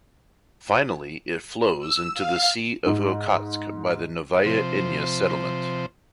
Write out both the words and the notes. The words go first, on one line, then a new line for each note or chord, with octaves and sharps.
Finally it flows into the Sea of Okhotsk by the Novaya Inya settlement.
E6
F5
G#2
C3 F3 C5